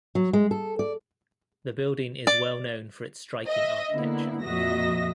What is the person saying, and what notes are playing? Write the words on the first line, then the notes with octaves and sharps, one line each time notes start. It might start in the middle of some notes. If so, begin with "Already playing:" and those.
The building is well known for its striking architecture.
F#3
G#3
A4
D5
D5
D#5 E5
D3 A#3 B3 E4
F2 A#2 F#4 D#5 E5 A#6